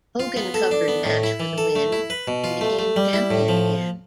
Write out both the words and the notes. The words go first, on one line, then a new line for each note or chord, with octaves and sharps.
Hogan covered Nash for the win and became champion again.
F4
B3
A4
D4
B3
A2
E4
E3
A4
A3
E4
B4
B2
F4
A3
A3
G3
E4
A2
F3